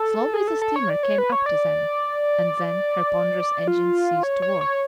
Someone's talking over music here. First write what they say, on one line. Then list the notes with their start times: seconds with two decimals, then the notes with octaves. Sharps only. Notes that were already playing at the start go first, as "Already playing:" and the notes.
Slowly the steamer came up to them, and then her ponderous engines ceased to work.
Already playing: A4
0.34 G#4
0.48 A4
0.62 A4
0.76 C#5
0.89 D5
1.03 C#5
1.18 B4
1.32 C#5
1.46 D5
3.68 F4
4.23 C#5
4.42 C#5
4.61 C#5